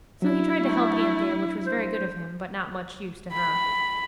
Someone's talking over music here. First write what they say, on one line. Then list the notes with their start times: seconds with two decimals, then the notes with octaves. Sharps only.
So he tried to help Anthea, which was very good of him, but not much use to her.
0.22 F#3 D4 E4
0.59 A3
1.66 C5
3.33 B5